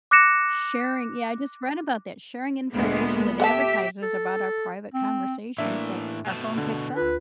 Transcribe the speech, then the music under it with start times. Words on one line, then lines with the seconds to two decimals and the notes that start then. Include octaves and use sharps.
sharing yeah, I just read about that, sharing information with advertisers about our private conversations that our phone picks up.
0.11 D6 F#6 A#6 C#7 E7
2.74 D2 A#2 G#3 B3
3.40 G4 A4 E5 F#5 A5
4.02 A4
4.94 C4
5.58 A2 E3 A#3 D4 E5
6.26 B2 A3
6.58 D3
6.96 D2 F4 B4